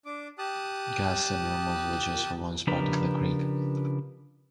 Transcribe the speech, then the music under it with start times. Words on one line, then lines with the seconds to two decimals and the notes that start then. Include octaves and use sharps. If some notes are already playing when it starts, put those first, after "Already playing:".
Gas and Nirmal villages were once part of the creek.
0.06 D4 D6
0.39 G4 A5 D#6 F#6
2.67 C#3 F3 D4 G4 A#4 B4